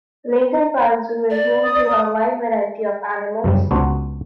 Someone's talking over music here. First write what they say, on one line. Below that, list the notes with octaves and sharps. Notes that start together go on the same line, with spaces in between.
Lincoln Park Zoo is home to a wide variety of animals.
D5
D#6
F#2 C#3 G3
C#2 B3 D4 F#4 C5